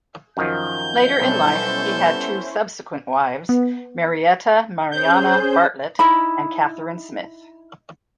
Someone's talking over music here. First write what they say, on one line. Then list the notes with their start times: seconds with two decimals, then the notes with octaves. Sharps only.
Later in life, he had two subsequent wives, Marietta Mariana Bartlett and Catherine Smith.
0.37 F#2 D#3 F3 G6
1.20 B1 G3 B3 C#4 E4 A4 C5
3.49 B3
4.91 C#4 G#4 C5 G6
5.99 D#4 E4 B5